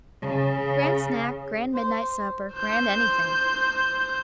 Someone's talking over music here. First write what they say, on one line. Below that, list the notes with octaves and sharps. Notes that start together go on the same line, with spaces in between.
Grand snack, grand midnight supper, grand anything.
C#3
C5
C5 G6